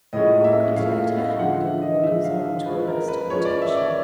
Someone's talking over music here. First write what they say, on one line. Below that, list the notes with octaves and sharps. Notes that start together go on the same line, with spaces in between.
Margaret laid her hand on the woman's arm to arrest her attention.
A2 F3 G#3 C#4 D#5
E5
A2 F3 G#3 C#4 F5
F5
D3 F3 G#3 F#5
E5
D#5
D3 F3 G#3 E5
F5
F3 G#3 C#4 B4
A#4
B4
F3 G#3 C#4 C#5
D5
E5
D5